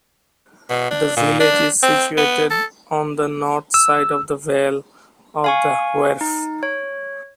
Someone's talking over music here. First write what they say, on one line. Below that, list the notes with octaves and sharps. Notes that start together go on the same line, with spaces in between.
The village is situated on the north side of the vale of the Wharfe.
B2
D4
A#2
D4
C4
B3
A4
E6
F5 G#5 C#6
D#4
C#5